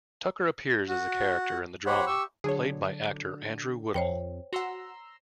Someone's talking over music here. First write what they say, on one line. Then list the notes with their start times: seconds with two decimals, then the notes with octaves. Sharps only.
Tucker appears as a character in the drama, played by actor Andrew Woodall.
0.88 F#4
1.86 G4 C5 C#5 F#5 B5
2.07 G4 C#6 E6
2.44 D3 F#3 D4 G#4 C#5
3.94 F2 C5 C#5 G5
4.53 F#4 F#5 A#5 C6 E6